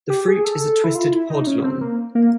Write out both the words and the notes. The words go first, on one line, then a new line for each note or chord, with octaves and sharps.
The fruit is a twisted pod long.
G4
G#4
A4
E4
F4
E4
D#4
C#4
C4
A#3
A#3